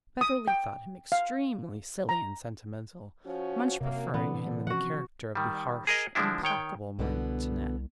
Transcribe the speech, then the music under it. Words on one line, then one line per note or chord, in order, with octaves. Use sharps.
Beverly thought him extremely silly and sentimental, much preferring him in the character of the harsh, implacable martinet.
D#6
G5
F5
A#5
F3 C#4 F#4
F#2 C3 A#3
D3 E3 B3 C4
F3 C#4 F#4 F#5
D#3 G3
G#4 A#4 D#5
D3 F3 G#3 D4 E4
D#3 C#5 G5
C2 B2 D3 B3